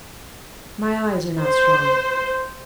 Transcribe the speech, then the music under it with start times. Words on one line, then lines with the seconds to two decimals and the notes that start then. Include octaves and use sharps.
"My eyes are not strong."
1.41 C5